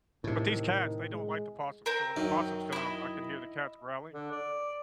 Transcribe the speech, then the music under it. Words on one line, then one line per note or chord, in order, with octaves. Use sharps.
But these cats, they don't like the possums, so when the possums come, I can hear the cats growling
A2 C3 D#3
G#3
C4 A#4
F#2 D#3
E4 D#5
D3
D5